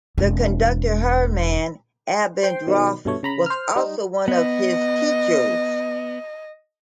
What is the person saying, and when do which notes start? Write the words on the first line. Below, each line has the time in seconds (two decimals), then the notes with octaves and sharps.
The conductor Hermann Abendroth was also one of his teachers.
0.18 E1 C4
2.43 C5 G5 C6
2.67 B2 D#3 F#3
3.05 G2 B2 A3 C#5
3.23 C#3 A#5 B5
3.46 C5 F6
3.76 G3 D#4
4.28 B3 D#5